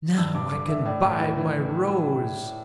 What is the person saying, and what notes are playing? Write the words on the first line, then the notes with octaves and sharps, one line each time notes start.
"Now I can buy my rose!"
G2 E6
G2 D6
D3 D6
D3 E5
A2 D5
A2
E3
E3